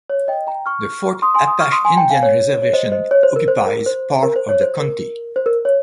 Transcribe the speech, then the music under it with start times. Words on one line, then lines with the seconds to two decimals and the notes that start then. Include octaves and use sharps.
The Fort Apache Indian Reservation occupies part of the county.
0.10 C#5
0.28 D#5 G5
0.47 G5 A#5
0.66 C#6 F6
1.22 C6 D#6
1.34 G#5 C6
1.47 C6 D#6
1.60 C#6 F6
1.72 C6 D#6
1.85 G#5 C6
1.97 G5 A#5
2.10 F5 G#5
2.23 C#5
2.62 C#5
2.73 C5 D#5
2.92 C5 D#5
3.11 C#5
3.23 C5
3.36 A#4
3.48 C5
3.66 A#4
3.86 C5
4.23 A#4
4.36 C5
4.49 C#5
4.61 C5
4.80 A#4
5.36 C5
5.46 A#4
5.65 C#5